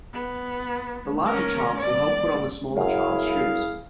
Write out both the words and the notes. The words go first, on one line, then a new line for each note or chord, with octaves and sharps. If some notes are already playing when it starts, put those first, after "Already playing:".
The larger child will help put on the smaller child 's shoes.
B3
C#4 A#4
D5
F#2 E4 G#4 F5